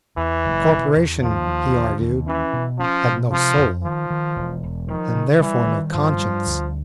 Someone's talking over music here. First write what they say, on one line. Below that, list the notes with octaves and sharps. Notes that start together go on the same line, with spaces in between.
A corporation, he argued, had no soul, and therefore no conscience.
E2 E3
F#1
B2
E2
D#2 F3
D#2
D3
D#2
E3 C#4
B2
F3 C#4
B2
C3 F3
F2
D#3 F3
D#3
E1
E1
D#3 F3
C#3
E3 G3
D#3
G2 F3
G3
D2